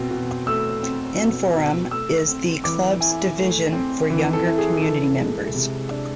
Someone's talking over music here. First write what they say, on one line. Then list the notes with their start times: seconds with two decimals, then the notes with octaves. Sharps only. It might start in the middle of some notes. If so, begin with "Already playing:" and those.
Inforum is the Club's division for younger community members.
Already playing: B2 C4
0.11 B2
0.46 A3 E6
0.83 C4
1.19 B2
1.55 B2
1.91 A3 E6
2.28 C4
2.64 E3 D6
3.01 E4 G#5
3.37 A3
3.73 C4
4.10 E3
4.33 A4
4.46 E4
4.58 G#4
4.82 E3 A4
5.19 G#3
5.55 C3
5.91 D4